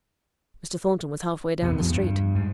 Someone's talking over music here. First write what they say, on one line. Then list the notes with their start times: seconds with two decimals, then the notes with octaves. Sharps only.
Mr. Thornton was half way down the street.
1.62 A1 E2 C3 B3
1.76 F1 F2 F3
1.92 G2
2.35 G#2